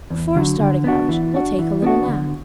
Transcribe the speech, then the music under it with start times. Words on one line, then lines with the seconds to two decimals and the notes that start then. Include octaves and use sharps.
Before starting out, we'll take a little nap.
0.10 E2
0.35 D3 F#3
0.60 D3
0.84 B3 D4 F#4
1.09 E3
1.34 D4 F#4
1.59 E3
1.82 B3 D4 F#4
2.08 D3